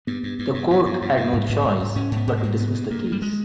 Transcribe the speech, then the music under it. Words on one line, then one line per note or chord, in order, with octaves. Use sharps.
The court had no choice but to dismiss the case.
G2 B3
G2
G2
G2
G2
G2
G2
G2
G#2
G#2
G#2
G#2
G#2 C#4
G#2 B3
G#2
A#3
G#2
G2 B3
G2
G2 A#3
G2
G3
G#3